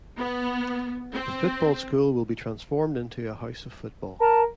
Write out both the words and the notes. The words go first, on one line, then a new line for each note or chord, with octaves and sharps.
The football school will be transformed into a House of Football.
B3
C4
A#4 A5